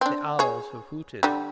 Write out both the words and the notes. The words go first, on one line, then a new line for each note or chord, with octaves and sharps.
The owls have hooted.
C4 D4
G#4 C#5
D3 G3